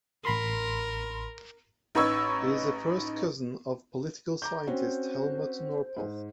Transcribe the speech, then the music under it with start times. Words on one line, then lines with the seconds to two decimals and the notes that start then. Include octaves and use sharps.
He is a first cousin of political scientist Helmut Norpoth.
0.25 A1 A#4 B5 C6
1.95 A1 D#4 B4 C#6 E6 G#6
4.42 A#5 D6 G6
4.67 C4 C#4 F#4 C5
5.97 G#2